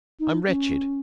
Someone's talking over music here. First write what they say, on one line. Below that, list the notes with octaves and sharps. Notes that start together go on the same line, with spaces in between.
I'm wretched.
D#4
C#4